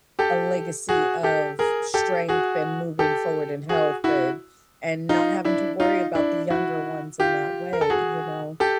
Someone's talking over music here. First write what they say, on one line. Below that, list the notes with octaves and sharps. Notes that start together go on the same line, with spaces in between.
a legacy of strength and moving forward in health and and not having to worry about the younger ones in that way, you know?
G4 A4
F#4 G#4
G4 A4
G#4 A#4
G4 A4
F#4 G#4
G4 A4
F#4 G#4
E4 F#4
D#4 F4
D4 E4
D#4 F4
D4 E4
E4 F#4
F4 G4
A#4
A4
F#4 G#4
G4 A4